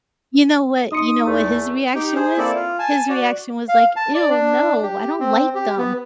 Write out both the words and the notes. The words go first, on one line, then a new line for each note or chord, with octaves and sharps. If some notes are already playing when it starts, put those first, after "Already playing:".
you know what you know what his reaction was? His reaction was like, "Ew, no, I don't like them."
D#4 C6 D#6 C#7
E2 A3
D#4 G4 G5
G#4 C5
A#3 C4 E4 A4 D5
F4
G#5 A5
F#4 D5
F5
A5
D5
D4
G4
C4
G4
B3